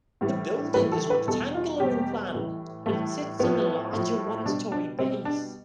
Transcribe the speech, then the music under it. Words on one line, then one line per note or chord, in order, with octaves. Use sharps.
The building is rectangular in plan and sits on a larger one-story base.
A2 E3 G3
A2 E3 G3 B4
A4
B4
E2 B2 G3 A4
F4
E2 B2 G3 G4
A2 E3 G3
A2 E3 G3 A3
A2 F3 B3
A2 F3
B2 G3 D4
D4
B2 G3 C4
D4